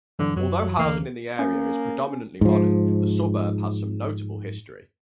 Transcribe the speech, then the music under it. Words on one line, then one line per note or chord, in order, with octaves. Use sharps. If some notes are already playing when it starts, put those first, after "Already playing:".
Although housing in the area is predominantly modern, the suburb has some notable history.
G2 D3 E3 F#3
F#2 F#3
F#1 D2 E3 A#3
A#3 C#4
G#2 F3